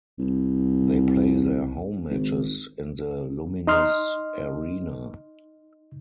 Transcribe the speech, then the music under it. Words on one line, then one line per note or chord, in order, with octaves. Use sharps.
They play their home matches in the Luminus Arena.
C2
G#1
D#4 D#5 C6 F6